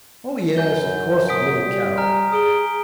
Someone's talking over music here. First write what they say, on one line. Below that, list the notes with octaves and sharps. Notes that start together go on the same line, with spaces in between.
"Oh, yes, of course!" admitted Carroll.
F#2 G#5 G6 G7
D#6 B6 D7
G3
G#5 A#5 F6
G#4 D#6 D7 G7